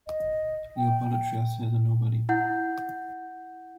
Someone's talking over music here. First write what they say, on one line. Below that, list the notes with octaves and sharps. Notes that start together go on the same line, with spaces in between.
Leopoldo Trieste is a nobody.
D#5
G5
E4 F#5 G6